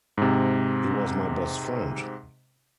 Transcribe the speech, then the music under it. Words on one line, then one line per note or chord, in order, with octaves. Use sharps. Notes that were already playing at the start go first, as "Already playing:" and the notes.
He was my best friend.
G#2 C3